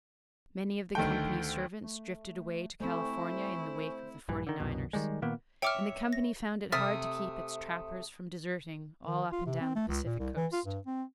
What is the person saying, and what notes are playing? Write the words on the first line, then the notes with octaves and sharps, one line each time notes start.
Many of the company's servants drifted away to California in the wake of the 'Forty-Niners,' and the company found it hard to keep its trappers from deserting all up and down the Pacific Coast.
D2 D#3 A3 G5
A3
A3 C4 E4 C5 G#5 C#6
A#1 G2 E3
D3 D#3
C2 F#2 B2
D#3 G3 G#3
A#2 D#3 A#3 B3
C#5 E5 G5 D6 F6
A#6
C3 A3 D#6 F6 A6 B6
D#3
F4
C3
C4
A3
C#2
A#2
C2
E3
F4
G2
C4